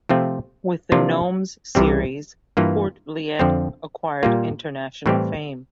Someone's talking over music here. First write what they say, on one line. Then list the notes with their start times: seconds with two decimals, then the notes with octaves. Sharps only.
With the Gnomes series Poortvliet acquired international fame.
0.09 C3 F3 A3 C4 F4
0.92 C3 F3 A#3 D4 F4
1.75 C2 C3 E3 G3 C4
2.57 G2 E3 A#3 F4
3.39 F2 D3 F3 C4
4.23 A#2 G3 A#3 F4
5.06 A2 E3 G3 C4 G4